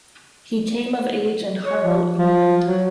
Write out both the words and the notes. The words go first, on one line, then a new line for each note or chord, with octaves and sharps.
He came of age in Harlow, England.
C#5
F3
F3
F#3